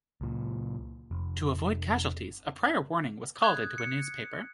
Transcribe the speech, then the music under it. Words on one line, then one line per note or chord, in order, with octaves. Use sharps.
To avoid casualties, a prior warning was called into a newspaper.
C#2 A#2
F1
D#6 F#6 G#6
C#7